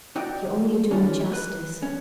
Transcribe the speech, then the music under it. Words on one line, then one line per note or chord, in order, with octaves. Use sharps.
'You only do me justice.
D#4 F#4 D5 D#5 G5
D#3 E3 C#4 D4 F4
B4
C#4